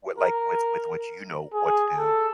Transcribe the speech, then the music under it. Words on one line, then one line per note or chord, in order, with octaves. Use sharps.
what, like, with with which you know what to do
A#4
G#4
A4